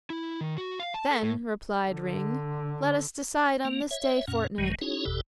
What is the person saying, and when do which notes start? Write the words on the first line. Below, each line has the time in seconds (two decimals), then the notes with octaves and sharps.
'Then,' replied Ring, 'let us decide on this day fortnight.
0.10 E4
0.41 D#3
0.58 F#4
0.80 F5
0.94 A5
1.11 A4
1.23 A2
1.87 D3
3.65 A#3
3.91 C#5 E5
4.28 F2 A#2 C#4 F#5
4.58 G#1 F#2 D#3 F#3 G#3
4.81 C#4 D#4 E4 F#4 G#4 C#5
5.05 G1 E2 B2 G4 A4